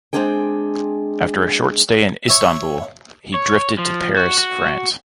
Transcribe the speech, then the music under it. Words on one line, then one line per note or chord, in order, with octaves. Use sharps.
After a short stay in Istanbul he drifted to Paris, France.
G#3 A3 C4 D4 G#4 G5
C#5 E5
C#5
F3
F#4
F#4